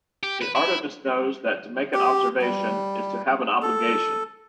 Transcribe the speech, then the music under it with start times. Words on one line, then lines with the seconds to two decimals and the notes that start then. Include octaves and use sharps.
The artivist knows that to make an observation is to have an obligation.
0.23 G4
0.42 B4
0.55 E4
1.94 G4
2.42 G3
3.62 A4